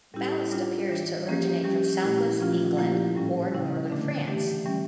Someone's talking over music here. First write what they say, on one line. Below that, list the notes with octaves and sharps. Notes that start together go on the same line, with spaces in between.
The ballast appears to originate from southwest England or Northern France.
A2 G3 C#4 E4 G4
G3 D4 F4
E3 G3 D4
F3 A#3 C#4 G4
G3 C#4 G4
A#2 A3 E4 G4
F3 C#4 F4
A#2 F3 A#3 E4 G4
A2 G3 C#4
C#3 G3 C#4 E4
D3 A3 D4
E3 A3 D4 G4
E3 G3 C#4